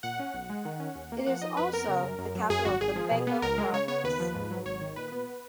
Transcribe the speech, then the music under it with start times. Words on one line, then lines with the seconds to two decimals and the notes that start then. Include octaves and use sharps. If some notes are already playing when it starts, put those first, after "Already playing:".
It is also the capital of the Bengo province.
0.03 A#2 F#5
0.19 C#4
0.34 B1
0.50 G#3
0.65 D#3
0.80 C#4
0.95 D#2
1.12 A#3
1.27 F3 F#5
1.42 D#4 D#5
1.57 F2 B4
1.73 B3 A#4
1.88 C#3
2.03 F#2
2.19 F#2
2.35 F#3
2.50 F#2 G#4
2.65 G#1 F#4
2.80 G#1 G#4
2.96 F3
3.11 B2
3.27 B3
3.42 C#2 A#4
3.58 G#3
3.73 C#3 C#5
3.88 B3 C#5
4.04 D#2 B4
4.19 F3
4.35 G#2
4.51 F#3
4.65 G#1 C#5
4.81 D#3
4.96 A#2 B4
5.12 B3